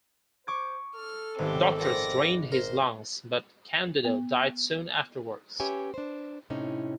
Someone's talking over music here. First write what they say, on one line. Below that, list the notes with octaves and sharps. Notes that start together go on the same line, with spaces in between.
Doctors drained his lungs, but Candido died soon afterwards.
C5 C#6 D6 G#6
A4 F6
G#1 G2 B3 C4 G4
D#3 F3 D5 A#6
A#4 C5
B3
C#4 G4 B4 C#5 E5 G#5
D4 C5
A2 C3 C#4 D#4